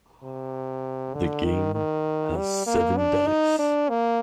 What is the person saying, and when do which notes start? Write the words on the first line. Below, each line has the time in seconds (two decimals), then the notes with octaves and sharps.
The game has seven dice.
0.23 C3
1.14 D3
1.45 D#3
1.75 D#3
2.37 G3
2.67 A#3
2.97 D4
3.27 D#4
3.59 D4
3.89 A#3